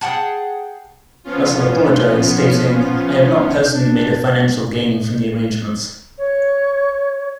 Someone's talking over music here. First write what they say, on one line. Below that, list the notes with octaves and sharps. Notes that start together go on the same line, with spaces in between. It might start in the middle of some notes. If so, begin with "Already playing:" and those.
Russell apologised, stating: I have not personally made a financial gain from the arrangements.
G#4 F#5 G5 A5
F3 B3 C#4 F4
D4
C#5